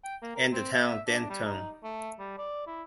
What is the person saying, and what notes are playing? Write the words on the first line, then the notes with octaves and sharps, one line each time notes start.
And the town, Denton.
G5
A#3
A#4
C4
E5
D4
G3
D#4
A3
G3
D5
E4